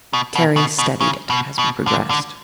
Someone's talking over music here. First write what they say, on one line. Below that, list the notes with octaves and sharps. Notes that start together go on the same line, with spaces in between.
Terry studied it as we progressed.
B2
B2
B2
B2
C#3
B2
B2
D3
D3